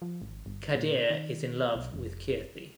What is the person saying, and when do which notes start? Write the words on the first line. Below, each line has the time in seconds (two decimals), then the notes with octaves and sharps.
Kadhir is in love with Keerthi.
0.02 F3
0.22 G#1
0.46 G1
0.76 A#2
1.10 D#3
1.75 B1
1.94 F1